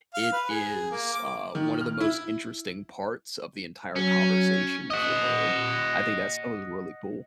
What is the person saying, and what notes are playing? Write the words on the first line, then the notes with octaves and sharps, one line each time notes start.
it is, uh, one of the most interesting parts of the entire conversation for me. I think that stuff was really cool.
F5
B4
G#4
A#3
D6
D#3
F6
E4
F#3 C#4
D#5 F#5